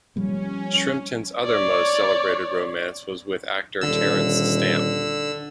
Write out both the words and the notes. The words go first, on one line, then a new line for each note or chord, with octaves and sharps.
Shrimpton's other most celebrated romance was with actor Terence Stamp.
F3 G3 A#3 C#4
C#5 D5
D#1 D3 E6